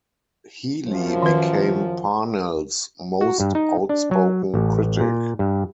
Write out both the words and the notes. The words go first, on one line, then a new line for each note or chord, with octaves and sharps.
Healy became Parnell's most outspoken critic.
F#2 F3
D#3 B4
F#4
G2
D#4
D4
F#3
A1
A#2
G2